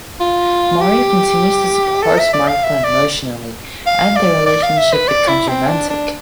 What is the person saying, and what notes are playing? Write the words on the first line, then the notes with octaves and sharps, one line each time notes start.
Mario continues to support Martha emotionally, and their relationship becomes romantic.
F4
G4
A4
E5
D5
F5
E5
D5
F5
D5
D5
F5
E5
B4
D5
E4
C4
D4
D4